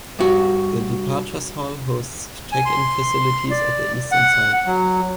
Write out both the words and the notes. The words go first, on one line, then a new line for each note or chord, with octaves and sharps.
The departures hall hosts check-in facilities at the eastern side.
G2 F#4
G#5
C6
D5
F#5
F#3